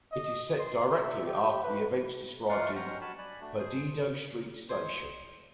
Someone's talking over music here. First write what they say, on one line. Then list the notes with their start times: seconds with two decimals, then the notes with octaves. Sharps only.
It is set directly after the events described in "Perdido Street Station".
0.12 D#5
0.59 C6
0.92 E5
1.26 G4
1.63 B4
2.49 A3 C#4 F4 D5 F5 F#5
2.76 C#4 F#4 F#5 G5 A#5
3.01 F#4 G#5 A5 B5
3.18 D5 G#5 B5 F#6
3.41 A3 D4 F#4
3.59 G#4 C5
4.69 C5 G#5